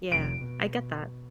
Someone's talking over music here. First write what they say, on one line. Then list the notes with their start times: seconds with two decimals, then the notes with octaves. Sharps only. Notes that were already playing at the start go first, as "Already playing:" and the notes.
Yeah, I get that.
0.12 F1 D7
0.44 B2